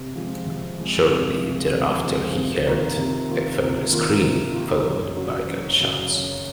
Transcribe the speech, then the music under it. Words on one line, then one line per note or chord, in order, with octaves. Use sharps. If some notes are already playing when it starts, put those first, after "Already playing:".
Shortly thereafter he heard a female scream, followed by gunshots.
Already playing: C3
F3 G#3 C4
C3
F3 G#3 C4
C3
F3 G#3 C4
C3
F3 G#3 C4
C3
D#3 A#3 F4
C3
D#3 A#3 F4
C3
D#3 A#3 F4
C3
D#3 A#3 F4
F#2
C#3 F#3
F#2
C#3 F#3
F#2